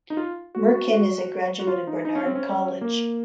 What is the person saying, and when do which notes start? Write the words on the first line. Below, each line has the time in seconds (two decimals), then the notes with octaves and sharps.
Merkin is a graduate of Barnard College.
0.10 D#4
0.17 F4
0.55 F#4
0.74 F#4
0.93 F#4
1.59 F#4
1.67 F4
1.87 D#4
2.05 D#4
2.15 C#4
2.26 C4
2.35 C#4
2.81 A#3